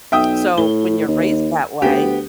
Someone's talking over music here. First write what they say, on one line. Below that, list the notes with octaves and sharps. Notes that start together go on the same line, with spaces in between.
So, when you're raised that way,
B1 E5 G5 D#6
A2 G7
D#2
D2 B3 G4